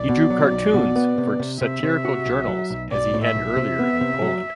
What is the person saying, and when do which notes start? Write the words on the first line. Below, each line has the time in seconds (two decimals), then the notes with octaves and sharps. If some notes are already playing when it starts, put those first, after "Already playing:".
He drew cartoons for satirical journals, as he had earlier in Poland.
Already playing: B1 D5
0.09 B2
0.30 F#3
0.51 B1
0.74 B2
0.96 B3
1.18 C3
1.39 C3
1.61 C3 E5
1.83 C3
2.05 F#4
2.26 B1
2.48 F#3
2.70 B1
2.92 B1 D5
3.14 A2
3.24 E5
3.35 B1
3.56 C3
3.79 B3
4.01 C3
4.22 F#3